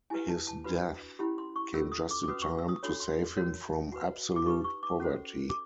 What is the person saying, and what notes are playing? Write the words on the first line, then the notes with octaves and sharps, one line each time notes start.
His death came just in time to save him from absolute poverty.
E4 G4 B4 G#5
A5
A5
D4 F#4 B4 B5
C#4 E4 G4 B5
C6
C#6
C#4 F4 A4 E6
D#6
D6
D6
C#4 F#4 B4 D#6
C#6
E6
D#6
D4 F#4 A4 C#5 B5
C6
F#4 A#4 C#5
F#4 B4
D6
D#4 G4 B4 C#6
C#6
D6
C#4 F#4 A4 C5
D6